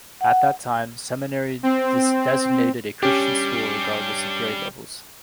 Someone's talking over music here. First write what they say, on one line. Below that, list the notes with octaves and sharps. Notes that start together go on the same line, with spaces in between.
At that time, "seminary" designated a Christian school regardless of grade levels.
F#5
C4
G3 C#4 D4 G4